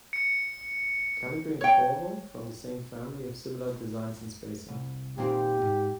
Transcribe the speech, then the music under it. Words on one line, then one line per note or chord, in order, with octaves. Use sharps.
Calibri and Corbel, from the same family, have similar designs and spacing.
C#7
C#5 G5
C2
A#2 D#3 C4 G4
G#2